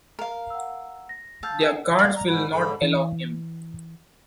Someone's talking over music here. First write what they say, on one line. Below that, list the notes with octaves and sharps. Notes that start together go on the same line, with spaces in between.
Their guards will not allow him.
A#4 F5
F#5 E6
A#6
F5 A5 E6 G6 A6
G#4 E5
D5 F5
A#5
G#2 B5
G#2 D3 B5
E3